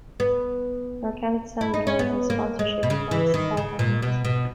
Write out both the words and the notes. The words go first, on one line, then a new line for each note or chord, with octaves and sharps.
Nor can it stand alone, as sponsorship requires support elements.
B3
E4
D#4
C#4
B3
A#3
G#3
B2
C#3
E3
D#3
C#3
A#2
B2
B2